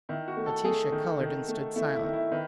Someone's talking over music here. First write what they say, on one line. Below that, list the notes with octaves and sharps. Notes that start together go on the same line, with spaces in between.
Laetitia coloured and stood silent.
D#3 E4
F#4
A3
A4
A3 G#4
D#3
D#3
A3
A3 E4
E4
D#3
E4
D#3 B4